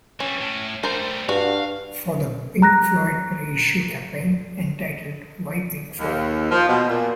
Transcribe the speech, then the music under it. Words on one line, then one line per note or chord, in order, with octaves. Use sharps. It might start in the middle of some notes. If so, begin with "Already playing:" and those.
For the Pink Floyd reissue campaign entitled Why Pink Floyd...?
E3 G3 C#4
A2
G3 A3 A#4 C5
G2 F#4 F5
A#5 F#6 A#6
D#2
F3
B2
A#2